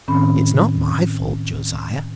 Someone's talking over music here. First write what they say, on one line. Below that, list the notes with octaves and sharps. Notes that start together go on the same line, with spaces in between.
It’s not my fault, Josiah.
A2 D#3 C4 C#4 B5